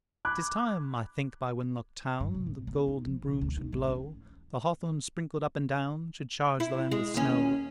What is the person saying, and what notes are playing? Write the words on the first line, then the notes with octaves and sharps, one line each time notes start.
'Tis time, I think by Wenlock town The golden broom should blow; The hawthorn sprinkled up and down Should charge the land with snow.
B5 D6 F#6 G#6
G2
C3
A2
B3
D#4
F3
B1
D2
D#4
A1
C#4
E4
G#3
D#2 C#4